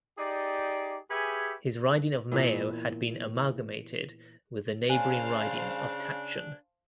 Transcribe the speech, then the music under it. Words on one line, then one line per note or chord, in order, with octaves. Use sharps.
His riding of Mayo had been amalgamated with the neighbouring riding of Tatchun.
D#4 G4 G#4 D5
G4 G#4 B4 C#5 E5 G#5
A#2 E3 B3 E5
C#3 D4 C5 F5 G#5 A5